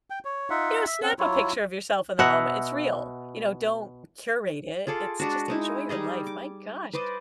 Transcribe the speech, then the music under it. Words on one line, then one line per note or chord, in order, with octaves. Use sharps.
you know, snap a picture of yourself in the moment, it's real, you know, don't curate it, it's just enjoy your life, my gosh.
G5
C#5
D#4 F4 E5 F#5
E5
C4 C#4 F#5
F#3 E4 F4 C#5
B2 E5 F#5 A#5
F4 G#4 A4 D5
G#3 D4 F#4
G#3 D#4 E4
G3 D#4 G#4 D#5
D6
B4 C5 D5 D#5